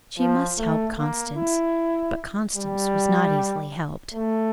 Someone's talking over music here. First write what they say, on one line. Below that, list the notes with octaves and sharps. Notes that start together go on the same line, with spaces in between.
She must help Constance, but Constance was not easily helped.
F3
A3
A#3
E4
G3
A3